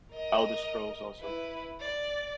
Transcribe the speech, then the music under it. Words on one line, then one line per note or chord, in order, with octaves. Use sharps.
Elder Scrolls, also.
A#4 D#5
E4 B4
D5